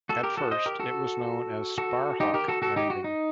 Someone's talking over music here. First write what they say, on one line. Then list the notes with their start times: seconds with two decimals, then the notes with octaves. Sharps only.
At first it was known as Sparhawk Landing.
0.09 F#4 A4
0.23 G4 A#4
0.37 F#4 A4
0.51 C5 D#5
0.66 G4 A#4
0.80 F#4 A4
1.78 F#4 A4
2.20 D#4 G4
2.34 G4 A#4
2.48 F#4 A4
2.62 F#4 A4
2.76 D#4 G4
2.90 F#4
3.04 D#4